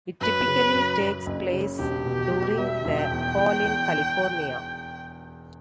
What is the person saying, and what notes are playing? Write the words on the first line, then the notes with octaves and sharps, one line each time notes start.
It typically takes place during the Fall in California.
F#2 B4
C#3
F#2
F#2
F#1
C#3
E1 G4
B2
B2
G3 E5
E1
G5
E2
E2
E2